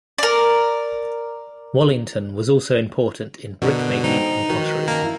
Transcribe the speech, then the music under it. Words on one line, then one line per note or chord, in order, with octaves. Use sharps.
Wallington was also important in brickmaking and pottery.
A#4 D5
B2 D3 F#4 A#4
G#3 D#4 C5 G5
D#3 F#4 B4 C5
C#3 A#3 A5
E4 F5